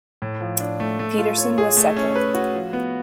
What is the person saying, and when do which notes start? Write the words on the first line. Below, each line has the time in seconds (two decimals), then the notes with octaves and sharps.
Peterson was second.
0.22 A2
0.41 F3
0.60 D4
0.80 A3
0.99 A3
1.18 F4
1.38 C#5
1.58 G#4
1.77 A3
1.96 C#4
2.16 B4
2.34 F#4
2.54 F3
2.73 B3